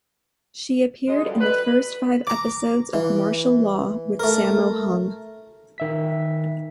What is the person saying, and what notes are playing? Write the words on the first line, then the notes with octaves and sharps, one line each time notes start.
She appeared in the first five episodes of "Martial Law" with Sammo Hung.
F#2 G#3 D#5
D3 F3 G3
B4
A#5 D6
E3
A3 A#4
D#3 E5 B6